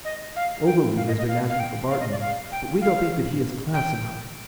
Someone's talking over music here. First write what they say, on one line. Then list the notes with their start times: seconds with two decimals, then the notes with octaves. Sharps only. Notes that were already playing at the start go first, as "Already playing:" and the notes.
Ogilvy has been acting for Barton, but we don't think that he is class enough.
0.05 D#5
0.36 F5
0.66 G5
0.97 F5
1.08 D#5
1.18 D#5
1.28 F5
1.49 F5
1.60 G5
1.90 F5
2.00 D#5
2.11 D5
2.21 F5
2.52 G5
2.82 F5
3.74 G5